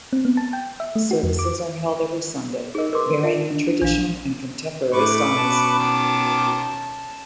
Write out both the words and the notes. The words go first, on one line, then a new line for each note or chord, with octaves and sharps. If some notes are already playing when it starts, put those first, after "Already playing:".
Services are held every Sunday, varying in traditional and contemporary styles.
C4
B3
A5
G5
E5
A3
F#4
F2
D6
D#4 G#4 A#4 D#5
A#4 B4 C6 D6
F4 D5 E5 F#5 A5
D4
A#1 E3 D4 F5
A2 B4 C#6 D6
B2 C#4 A5
D#3 D6